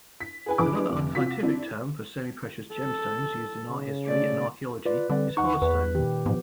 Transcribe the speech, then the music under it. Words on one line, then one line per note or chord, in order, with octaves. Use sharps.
Another unscientific term for semi-precious gemstones used in art history and archaeology is hardstone.
B6
G#4 B4 G#5
A#1 E3 G#4 B4 D6
F1
C3 F4 F#4 B6
C4 D4 E4
A4
C#3
A3 D5
F4 B4 D5
D3 G3 C4 D5
D#2 D#4 F#5 C#6
E2 B4
A#2 D#3 G4
G#2 F3 B3